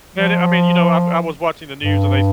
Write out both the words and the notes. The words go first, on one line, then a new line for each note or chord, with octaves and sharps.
And it I mean, you know, I I was watching the news, and they s
F3
G2